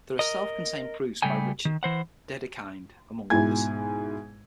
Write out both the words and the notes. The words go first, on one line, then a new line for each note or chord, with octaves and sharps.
There are self-contained proofs by Richard Dedekind, among others.
A#4 D#5
C#3 G3 A3 G5 G#5
D#3
E3 C5 F#5
G#2 B2 E4 G#5 G#6